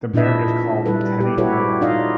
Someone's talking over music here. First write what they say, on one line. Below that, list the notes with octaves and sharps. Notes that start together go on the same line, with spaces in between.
The bear is called "Teddy Noir".
A#2 D4 E4 D#5 E5
G3 E4 A4 B4
G4
E4 F#4 G4 A4 B4 C#5
D#4 F4 D5 D#5 F5